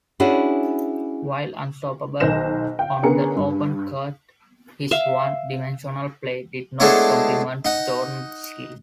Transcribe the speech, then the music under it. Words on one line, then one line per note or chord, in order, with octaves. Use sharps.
While unstoppable on the open court, his one-dimensional play did not complement Jordan's skills.
C#4 D4 E4 F#4 G#4
B1 D#3 D#4 C5 A#6 E7
F5 G5
D3 B3 C#4 G#4 A#4 C#7
G2
E5 F5
G#3 A3 B3 D4 E4 C#5
D#4 F#5